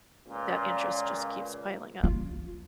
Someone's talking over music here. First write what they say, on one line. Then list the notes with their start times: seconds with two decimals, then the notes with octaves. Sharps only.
that interest, just, keeps piling up.
0.27 C#2 A#2
2.04 F4